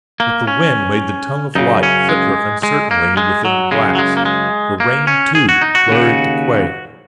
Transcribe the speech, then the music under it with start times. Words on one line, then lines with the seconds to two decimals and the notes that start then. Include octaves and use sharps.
But the wind made the tongue of light flicker uncertainly within the glass; the rain, too, blurred the quay.
0.20 A#3
0.47 C#4
1.55 F#2 C#3 D#4
1.83 C#4
2.09 G#3
2.63 G#3
2.91 A#3
3.17 G#3
3.45 F#3
3.71 F#2 C#3 G#3
3.95 F#3
3.98 G#3
4.17 A#3
4.25 G#3
4.80 A#3
5.07 C#4
5.35 G#4
5.49 F#4
5.62 D#4
5.75 F#4
5.88 D#2 C#3